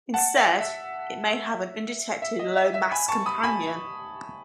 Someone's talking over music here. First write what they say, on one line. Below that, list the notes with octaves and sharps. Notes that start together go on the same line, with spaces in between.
Instead, it may have an undetected lower mass companion.
F#5 A5
E5
E5
E5
D#5
E5
E5
G#5 B5
A5 C#6
B5 D#6
G#5 B5